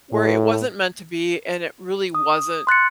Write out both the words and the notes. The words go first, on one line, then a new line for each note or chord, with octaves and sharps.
where it wasn't meant to be and it really wasn't
A2
D#6
C6 F#6 A6 C#7